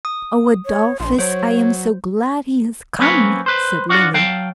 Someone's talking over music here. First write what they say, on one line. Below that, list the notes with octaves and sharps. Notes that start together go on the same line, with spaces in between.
"Oh, Adolphus, I am so glad he has come," said Lily.
D#6
C#5
A#1 C6
F#3 C5 C#5
F#3 A#3 C4 C#4 B4 C#5
B4 C5
D4 F4 F#4 C#5
F#3 F5 G5 A5